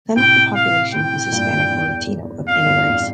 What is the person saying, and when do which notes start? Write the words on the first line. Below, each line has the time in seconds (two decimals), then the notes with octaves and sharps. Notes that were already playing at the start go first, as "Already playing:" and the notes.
None of the population is Hispanic or Latino of any race.
0.16 A2 C3 G5
0.55 F5
0.93 A2 C3 G5
1.32 G2 A#2
1.70 E2
2.47 F2 F5
2.66 E2 G2
2.86 F2 A2